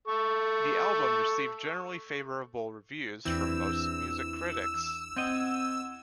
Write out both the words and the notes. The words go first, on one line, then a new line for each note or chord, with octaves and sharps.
The album received generally favorable reviews from most music critics.
A4 C#6
E2 E3 C4 D4 E4 E6
C4 D#5 F#5 G#6